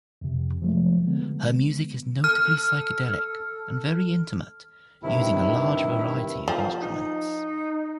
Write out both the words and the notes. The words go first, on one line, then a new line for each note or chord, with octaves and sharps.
Her music is notably psychedelic and very intimate using a large variety of instruments.
F2 C3
F3 F#3 G#3 A3
D3 G#3 B3
A4 F6
G2 C3 D#3 E4
F3
D#4